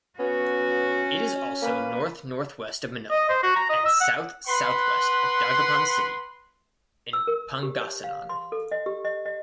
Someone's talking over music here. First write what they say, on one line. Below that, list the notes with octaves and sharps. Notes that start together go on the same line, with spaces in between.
It is also north-north-west of Manila, and south-south-west of Dagupan City in Pangasinan.
B3 C#4 F#4
A#3 B4
D#5
C5
F#4
A#5
D#5
E6
F#5
B4 F#5 B5 C6
E6
A#4
G4
C#5
F5
C6
A4
D#5
G4
D#5
D#5